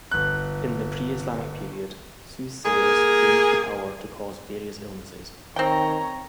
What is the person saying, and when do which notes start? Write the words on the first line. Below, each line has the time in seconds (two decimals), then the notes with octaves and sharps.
In the pre-Islamic period, soothsayers claimed the power to cause various illnesses.
0.11 G1 F#6
2.65 A#3 G#4
5.56 D#3 C4 C#5 G5 A#5